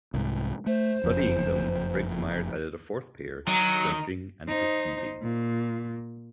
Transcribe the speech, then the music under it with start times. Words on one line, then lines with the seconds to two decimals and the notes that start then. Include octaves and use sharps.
After studying them, Briggs Myers added a fourth pair, Judging and Perceiving.
0.14 C2 G#2
0.66 A3 C5
1.04 F#1 F2
3.48 D#3 F#3 A#5
4.48 D#4 C5
5.23 A#2